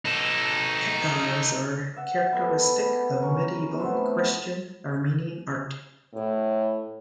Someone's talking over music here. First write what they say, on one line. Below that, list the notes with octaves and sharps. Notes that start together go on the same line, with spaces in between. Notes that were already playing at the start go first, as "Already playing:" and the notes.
"Khachkars" are characteristic of Medieval Christian Armenian art.
D#4 A4
E5 F#5
G3 B3 A4
C#4 A#4
A2 B3 C4 A5
A2